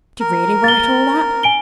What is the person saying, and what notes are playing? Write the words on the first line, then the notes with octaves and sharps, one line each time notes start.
Did she really write all that?
A#4
A6 G7
G#5 D7 G7